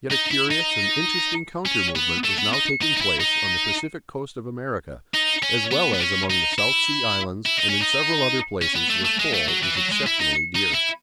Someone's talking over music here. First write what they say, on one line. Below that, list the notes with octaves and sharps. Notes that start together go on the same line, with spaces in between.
Yet a curious and interesting counter movement is now taking place on the Pacific Coast of America, as well as among the South Sea Islands and in several other places where coal is exceptionally dear.
D#4
E4
D#4
C#4
B3
A3
B3
D#4
D#4
D#4
E4
D#4
D#4
C#4
B3
B3
C#4
D#4
E4
E4
D#4
C#4
D#4
C#4
B3
A3
A3
G#3
A3
F#3
E3
F#3
G#3
E4
D#4
D#4
E4